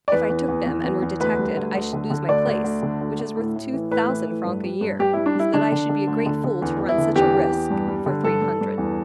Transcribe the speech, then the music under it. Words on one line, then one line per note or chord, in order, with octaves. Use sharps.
"If I took them, and were detected, I should lose my place, which is worth two thousand francs a year; so that I should be a great fool to run such a risk for three hundred."
D5
E2 B4
E2
E2
E2
E2
E2
D2 B4
G3
D2
D2
D3
D3
D2 D5
D2
D2
D3
D2
D2
A2
A2
E3
A2 B4
E3
A2
G2
G3
G2
G2 G4
G3 E4
D4
G3 E4
D3 D4
D3
D3
D2
D3
D3
E2
E2
E4
D3
E2 G4
E2
E2
G2
G3
D3
G2 A4
G2
G2
E2